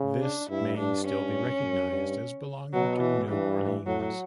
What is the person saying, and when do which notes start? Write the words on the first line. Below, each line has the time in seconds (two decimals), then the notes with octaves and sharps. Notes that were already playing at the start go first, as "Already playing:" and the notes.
This may still be recognized as belonging to New Orleans.
Already playing: C#3
0.22 D4
0.50 G2 E4
0.78 G2 D4
1.05 C#4
1.61 F#2
1.90 G2
2.74 B2 F#3
3.01 E3
3.29 G2 E3
3.86 A2 F#3